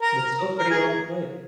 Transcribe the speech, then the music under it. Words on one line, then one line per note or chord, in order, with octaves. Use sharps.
That's still a pretty long flight.
A#4
A#4
G#4